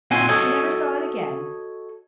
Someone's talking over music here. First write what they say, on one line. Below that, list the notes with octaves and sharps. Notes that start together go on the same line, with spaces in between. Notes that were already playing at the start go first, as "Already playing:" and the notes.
She never saw it again.
A#2 C4 C#4 F#4 C5 G#5
F#4 A4 C#5 D#5